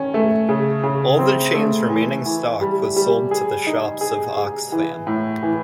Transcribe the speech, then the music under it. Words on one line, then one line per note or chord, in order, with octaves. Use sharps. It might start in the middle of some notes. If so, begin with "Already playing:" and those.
All the chain's remaining stock was sold to the shops of Oxfam.
Already playing: D#3 C#4
A3
C#3
C#3
C4
A3
E3
E3
G3
G3
G#4
D#4
G#4
G#4
E3
A2
E3